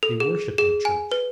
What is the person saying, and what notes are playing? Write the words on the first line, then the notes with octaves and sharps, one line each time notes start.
They worship their church.
A4
G#4
G#4
G#5
B4